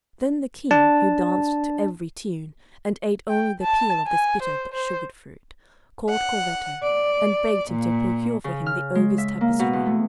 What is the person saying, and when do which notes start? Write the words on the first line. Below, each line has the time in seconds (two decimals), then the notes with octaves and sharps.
Then the King, who danced to every tune, and ate only the peel of this bitter but sugared fruit, called Corvetto, and begged him to procure for him the ogre's tapestry.
0.71 D4 A5
3.29 G5
3.62 A5
4.08 G#5
4.43 C5
4.73 C5
6.09 F#5
6.83 D5
7.71 A#2
8.44 C#3
8.66 F6
8.95 G#3
9.18 E5
9.41 A#3
9.59 B2
9.73 E2
9.86 A3